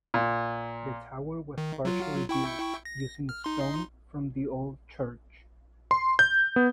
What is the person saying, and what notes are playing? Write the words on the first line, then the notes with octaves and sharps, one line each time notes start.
The tower was partially built using stone from the old church.
A#2
D#3
F#3 F4
E4 G5 C#6
A#6
F6
D#4 C6
C6
G6
B3